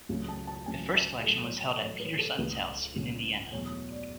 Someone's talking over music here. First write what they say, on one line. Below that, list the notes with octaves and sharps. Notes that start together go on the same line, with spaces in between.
The first election was held at Peter Sutton's house in Indiana.
C#2 C#3 F#3 A3
A5
A5
C#2 C#3 F#3 A3 G#5
E5
A2 F#3 A3 A4
C#5
A2 F#3 A3 C#5
B4
A4
C#2 C#3 G#3 B4
C#2 C#3 G#3
E2 B2 F#3 A3 C#5
D5